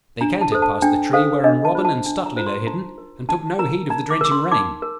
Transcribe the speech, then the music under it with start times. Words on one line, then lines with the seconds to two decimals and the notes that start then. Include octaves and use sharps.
They cantered past the tree wherein Robin and Stuteley lay hidden, and took no heed of the drenching rain.
0.21 D4 A#5
0.41 A5
0.52 A4 C5
0.62 A5
0.82 D4 G5
1.13 A4 C5 F5
1.44 D4 D#5
1.65 A5
1.75 F4 C5
1.85 A5
2.06 D4
2.26 A#5
2.37 F4 C5 A#5
2.47 C6
2.67 D#4 A#5
2.98 A#4
3.29 D#4 A5
3.59 A#4 A#5
3.90 D#4 A#5
4.11 D6
4.21 A#4 D6
4.32 C6
4.52 D#4 D6
4.82 A#4